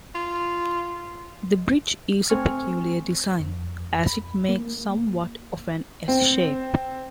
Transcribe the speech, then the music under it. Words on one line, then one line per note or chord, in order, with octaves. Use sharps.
The bridge is a peculiar design, as it makes somewhat of an "S" shape.
F4
A3 C4 G#5 C#6 F6
F2
B5
A#3
C4